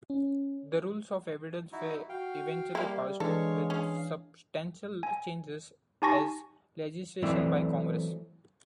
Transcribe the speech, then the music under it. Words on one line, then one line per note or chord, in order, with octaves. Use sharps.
The Rules of Evidence were eventually passed, with substantial changes, as legislation by Congress.
C#4
D#4 E4 F#4
F#4 F5 G5
G3 A#3 E4
E3 G#3 D4 A4 C#5 F5 C#6
C#4 G#4 F5
G#5
D#4 G4 G#5 A5 C#6 A#6
E3 F#3 A3 C4 E4 D5